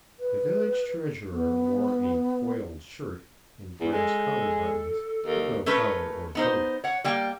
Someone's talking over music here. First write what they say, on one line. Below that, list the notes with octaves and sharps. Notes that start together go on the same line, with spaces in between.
The village treasurer wore a "boiled shirt" and brass collar-buttons, but no collar or coat.
B4
B3
E2
G#3 A4
D#2
A3 C#4 A#4 B4
B3 D#4 C5
C#5 F#5
G3 A#3 G5